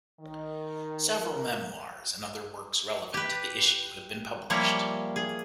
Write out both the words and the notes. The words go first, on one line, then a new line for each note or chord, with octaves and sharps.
Several memoirs and other works relevant to the issue have been published.
D#3
A#4
G4 B4
F3 G3 A#3 E4 C#5
G#4